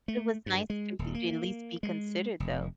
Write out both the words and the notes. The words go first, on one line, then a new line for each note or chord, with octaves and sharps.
It was nice for you to at least be considered, though.
A3
G2
G#3
D#1
A#3
G#3
F1